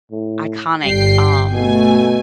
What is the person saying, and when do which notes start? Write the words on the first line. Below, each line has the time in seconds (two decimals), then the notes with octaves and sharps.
iconic, um.
0.12 A2
0.85 G1 G3 G5 C7
1.53 B2 A3 G#5